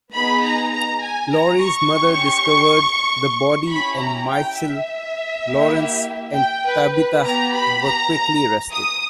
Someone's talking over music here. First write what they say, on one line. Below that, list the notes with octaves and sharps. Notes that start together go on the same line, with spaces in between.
Laurie's mother discovered the body and Michelle, Lawrence, and Tabitha were quickly arrested.
B3 D#4 G#4 B5
A#5
A#5
G#5
A#5
C#6
C#4 G4
C#4 E4 G4 B5
A#5
G5
E5
A#3 E4 G4
G5
B4
B4
B3 G4 A#5
B5
A#5
A#5
D#6